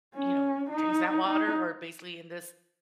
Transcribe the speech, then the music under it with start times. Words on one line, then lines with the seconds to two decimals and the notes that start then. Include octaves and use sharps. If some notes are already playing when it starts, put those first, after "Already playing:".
you know, drinks that water or, basically, in this
0.14 C#4
0.70 D#4
1.27 D#4